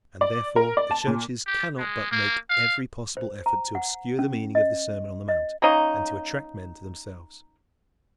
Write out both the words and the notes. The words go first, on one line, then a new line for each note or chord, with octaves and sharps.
And therefore the churches cannot but make every possible effort to obscure the meaning of the Sermon on the Mount, and to attract men to themselves.
D5
A#4
D5
A5
A#2
G4
G#3
A#3
F5
C5
A#5
F#5
C#4
D#5
D#5
A#3 C#4 D#4